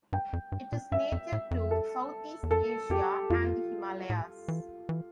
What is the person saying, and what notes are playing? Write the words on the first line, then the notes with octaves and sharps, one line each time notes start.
It is native to Southeast Asia and the Himalayas.
G2 G5
F2
G2
A#2
G2 E5
F2
A2
F2
A4
E2
F2 A4
F2 G4
F2 F4
A2
E3
E3